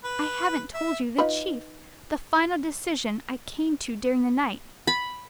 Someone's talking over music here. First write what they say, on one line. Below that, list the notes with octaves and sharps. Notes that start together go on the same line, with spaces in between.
I haven't told you the chief, the final decision I came to during the night.
B4
E5
D#4 F4 B4
B5